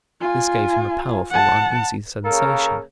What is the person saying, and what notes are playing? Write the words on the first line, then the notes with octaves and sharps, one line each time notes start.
This gave him a powerful, uneasy sensation.
F4 G#5
F#5 A5
C#3 A#3 A4 A#4